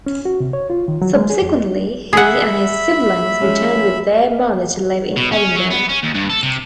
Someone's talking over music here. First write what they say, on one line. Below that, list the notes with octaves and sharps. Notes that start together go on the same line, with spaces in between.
Subsequently, he and his siblings returned with their mother to live in Edinburgh.
C#4
F#4
C3
C#5
F4
D#3
F#3
G#3
G#4
F2
G#4 E5 F#5 B5
F3 G#3 C#4
B2
C#4
F#3
B3
C#4
D#2
G2
A4
C3